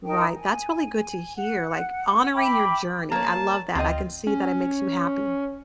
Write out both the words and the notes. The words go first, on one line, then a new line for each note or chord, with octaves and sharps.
Right, that's really good to hear, like, honoring your journey, I love that, I can see that it makes you happy.
D#4 A#4 G5 A5
G#5
F#5
E5 G5 B5 D6
A#3 C#5 A5 A#5
D2 C4 F4 D#5
C#4